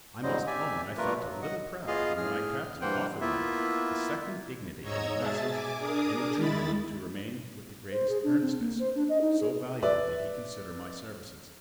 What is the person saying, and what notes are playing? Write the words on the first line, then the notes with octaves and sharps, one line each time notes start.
I must own I felt a little proud when my captain offered me the second dignity in the vessel and entreated me to remain with the greatest earnestness, so valuable did he consider my services.
E2 G#2 F#3 G3 C5 D#5
G4 D5 E5 G#5
G2 A3 A#3 F4 A#4 B4
F#3
D#5 F#5
B3 F4 G#4 D#5 F5
A2 G#4 F6
G2 E3 A#3 C5 F#5 G5
A#3 B3 E4 F4 E5
G#2 C#5 D#5 A#5 E6 G#6
B2 G#4 E5 A5 A6
G#5 D6
D4 G#4 A#4 D6 D#6
D#3 G#3 E4 B5 A6
C5
G#4
D4
C4
A#3
C5
D4
D#5
D#4
G#4
B4 D5 E5